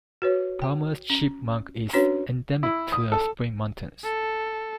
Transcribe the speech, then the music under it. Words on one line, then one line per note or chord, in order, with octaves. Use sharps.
Palmer's chipmunk is endemic to the Spring Mountains.
F#4 B4 C#5
G5
C#4
C#4 D4 F#4 B4 C#5
E4
D#6
A4
A4